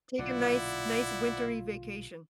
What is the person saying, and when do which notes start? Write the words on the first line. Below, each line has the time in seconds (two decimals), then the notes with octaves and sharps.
Take a nice nice wintery vacation.
0.19 B1 A#2 D3 E4 F4 D5 F#5